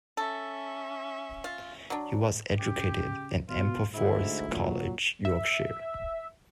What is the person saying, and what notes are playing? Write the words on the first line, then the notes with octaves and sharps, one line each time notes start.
He was educated at Ampleforth College, Yorkshire.
C#4 A4 E5
F4
F#3 D4
C#3 G4
B2 F4
D2 G#2 E4
A#2 F#3
E5